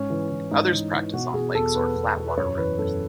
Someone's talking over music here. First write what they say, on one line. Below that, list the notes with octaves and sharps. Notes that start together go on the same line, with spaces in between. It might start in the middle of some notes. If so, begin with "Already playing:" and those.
Others practice on lakes or flatwater rivers.
Already playing: G#2 C#4
E3
E3
G#2 D#4
E3
E3
B2 F#4
B2 G#4
E2 A4
E2 B4
E2
B2
B4
F#2 C#5
E3 B4
F#2 A4